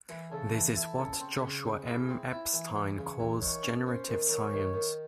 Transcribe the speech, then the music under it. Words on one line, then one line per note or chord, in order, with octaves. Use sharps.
This is what Joshua M. Epstein calls generative science.
E3
C#3 A4
E3
E4 A4
C#3
C4
C#3
C4 G#4
E4
C4
E4
E3
E3
C#3
E3
D#3 C#5
C#4
C#4 C5
D#3
D#3 C#5
D#3
D#3